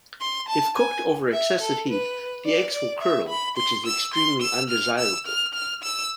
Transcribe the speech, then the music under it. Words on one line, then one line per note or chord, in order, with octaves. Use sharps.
If cooked over excessive heat, the eggs will curdle, which is extremely undesirable.
C6
A5
G#5
E5
A4
B4
D5
D5
E5
B5
C6
E6
C6
E6
F6
E6
F6
F6
E6